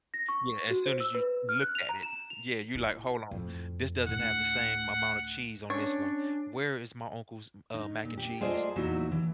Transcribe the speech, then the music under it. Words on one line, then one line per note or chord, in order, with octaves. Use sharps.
Yeah, as soon as you looked at it Yeah, you're like, "Hold on, this doesn't have the same amount of cheese on this one. Where is my uncle's m uh, mac and cheese?"
A#6
C#6
F#4
C5
E6
B4
F6
F#6
F7
A#5
E7
F7
E4
F2 A2
D2 A2 F#5
C#4 D4 C#5
D#4
A#2
G4
A3 F4 G#4 C5 D5 D#5
E2 A#2 F#3 D#4 E4 E5
E3